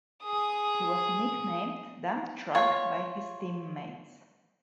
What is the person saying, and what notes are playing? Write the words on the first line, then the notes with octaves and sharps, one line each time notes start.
He was nicknamed "Dump Truck" by his teammates.
G#4 D#6
F4 C#5